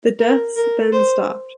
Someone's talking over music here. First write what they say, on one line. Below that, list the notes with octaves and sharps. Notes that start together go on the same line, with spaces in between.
The deaths then stopped.
A#4
A#4
C5